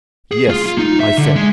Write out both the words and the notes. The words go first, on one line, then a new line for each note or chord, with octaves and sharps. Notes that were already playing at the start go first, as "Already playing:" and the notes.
"Yes," I said.
G#4
F4
F4
D#4
E5
D3
G#3